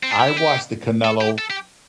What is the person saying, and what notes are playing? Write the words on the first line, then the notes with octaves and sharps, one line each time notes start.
I watched the Canelo
C4
D4
G4
E4
G4
A4
G4
A4
G4